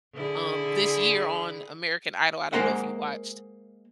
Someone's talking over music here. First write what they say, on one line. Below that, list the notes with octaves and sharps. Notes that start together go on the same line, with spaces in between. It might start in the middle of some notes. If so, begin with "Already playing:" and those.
um, this year on American Idol. I don't know if you watched.
D3 E4 G#4
G#3 A#3 A#4 C5 F#5